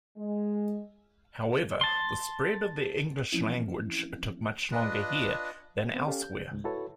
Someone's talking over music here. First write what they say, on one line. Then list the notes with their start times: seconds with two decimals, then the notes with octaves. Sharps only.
However the spread of the English language took much longer here than elsewhere.
0.17 G#3
1.81 A5 C6
3.32 E3 F3 A3 C4 C#4 E4
4.72 D4 F4 B4 D#5
5.94 B3 C4
6.07 C#4 G4 A4 F5
6.22 G6
6.51 C#2 G#2
6.64 E4 F#4 A4 B4 C#5